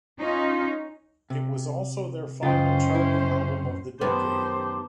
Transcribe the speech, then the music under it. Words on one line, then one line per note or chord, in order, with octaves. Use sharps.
It was also their final charting album of the decade.
C#4 D#4 F4
C3
C#2 F#2 C#3 C#4 F4 C5 D#5 G5
E4
F#2 D#3 A#3 B3 G4 C5 A5 D6